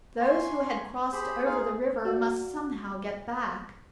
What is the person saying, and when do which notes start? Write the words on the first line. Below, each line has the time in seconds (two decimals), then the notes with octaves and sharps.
Those who had crossed over the river must somehow get back.
0.21 G#5 C6 C#6
1.12 G4 G#4 C5 B5
1.45 D#4 F4 G#4 F5 G#5
1.58 G#4
2.05 F#4 D5 F5